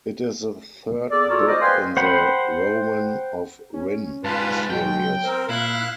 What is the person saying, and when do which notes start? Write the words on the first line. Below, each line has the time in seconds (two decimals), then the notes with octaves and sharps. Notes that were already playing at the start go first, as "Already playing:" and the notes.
It is the third book in the "Rowan of Rin" series.
1.11 B3 G#4 A4 D5
1.29 F4 F#4 A4 A#4 C#5 D5
1.48 C5 D5 D#5
1.61 B4 C5 F5 G5 G#5 C6
1.97 C5 F#5 G5 B5
3.74 C#4
4.24 G#2 G3 F4 B4 A5
4.70 B2 F#3 G#3 G5
5.24 C4 A#4 C5
5.49 A#2 E4 F5 F#6